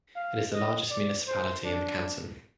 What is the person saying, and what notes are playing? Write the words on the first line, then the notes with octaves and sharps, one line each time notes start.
It is the largest municipality in the canton.
F5
D#5
D5
C5
D4